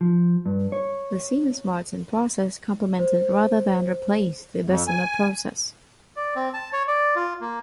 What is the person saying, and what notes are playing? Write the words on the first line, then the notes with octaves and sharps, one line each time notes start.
The Siemens-Martin process complemented rather than replaced the Bessemer process.
F3
G2
C#5
C5
F2
G#5
D5
C4
A5
C#5
D5
F4
A#3